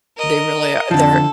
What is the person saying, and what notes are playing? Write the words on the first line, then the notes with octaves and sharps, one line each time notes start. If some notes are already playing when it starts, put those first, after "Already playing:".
They really a they're
A#4 D#5
F2 D3 F3 A4 A5